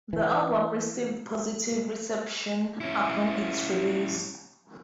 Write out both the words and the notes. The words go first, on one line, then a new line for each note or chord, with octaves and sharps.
The album received positive reception upon its release.
E3
C#4 E4